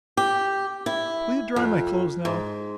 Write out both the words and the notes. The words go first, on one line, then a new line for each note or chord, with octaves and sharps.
Will you dry my clothes now?
G4
E4
F2
G#2